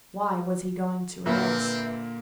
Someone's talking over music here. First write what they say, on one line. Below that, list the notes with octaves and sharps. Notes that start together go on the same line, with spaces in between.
Why was he going to Arras?
A#2 D3 A#3 C4 B4 E5